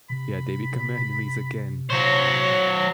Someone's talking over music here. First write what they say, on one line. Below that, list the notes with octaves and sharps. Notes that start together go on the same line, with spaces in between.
Yeah, they become enemies again.
C3 B5
C3 F#3 C5 C#5